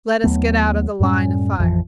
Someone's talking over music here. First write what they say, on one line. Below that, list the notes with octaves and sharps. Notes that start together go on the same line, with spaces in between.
"Let us get out of the line of fire."
D#2 F#3 A3 B3
F#2 A2 G3 C#4
A1 F2 E3 F3